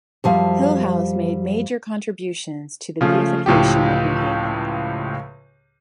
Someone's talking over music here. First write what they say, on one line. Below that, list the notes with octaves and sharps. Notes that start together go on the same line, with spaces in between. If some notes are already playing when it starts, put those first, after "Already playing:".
Hillhouse made major contributions to the beautification of New Haven.
F#2 F3 G3 F5
C#3 F3 A3
C#2 A2 F3 G4